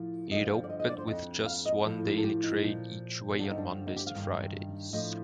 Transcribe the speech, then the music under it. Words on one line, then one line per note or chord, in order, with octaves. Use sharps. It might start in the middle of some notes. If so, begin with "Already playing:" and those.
It opened with just one daily train each way on Mondays to Fridays.
Already playing: A2 F3
G2 D3 F3 D#5
F5
D5
D#5
D#5
D5
C5
F2 D#3 D#5
F5
D#5
A2 F3 A4
A4
G4
D#4
A#2 F3
C4
G2 D3 F3 D4
D#4
D4
D#4
G4
F5
G2 D#3
A2 F3 D#5